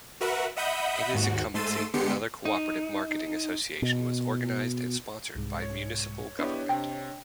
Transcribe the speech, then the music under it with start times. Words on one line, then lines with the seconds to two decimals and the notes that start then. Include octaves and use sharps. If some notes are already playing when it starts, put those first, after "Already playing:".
In his incumbency another cooperative marketing association was organized and sponsored by municipal government.
0.21 F#4 A#4 B4 E5 F#5
0.56 D#5 E5 F#5 B5 D#6 G6
1.13 D#2 G#2 F#4
1.54 G#2 A3 C6 E6 A6 D#7
1.94 D3 G#3 B3 G4 C6 C#7
2.45 D#4
3.82 B2
5.35 C2 G#2
5.62 C#5
6.39 B3 D4 E4 G4 C#5 D#5
6.69 C3 G5